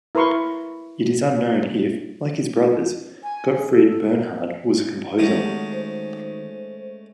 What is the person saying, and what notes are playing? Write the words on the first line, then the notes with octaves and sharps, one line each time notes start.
It is unknown if, like his brothers, Gottfried Bernhard was a composer.
E4 A#4 B4 C6 C#6
G#5
G#4
A4
A#4
D#3 G#3 A3 C#4 F#4 G4
C5